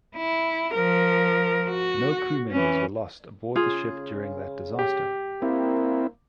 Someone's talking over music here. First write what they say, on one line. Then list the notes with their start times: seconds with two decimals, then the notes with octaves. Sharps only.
No crew members were lost aboard the ship during that disaster.
0.17 E4
0.74 F3 A#4
1.69 F#4
2.52 E3 C#4
3.56 C#3 F4 G#4
4.79 G4
5.42 A#3 C4 E4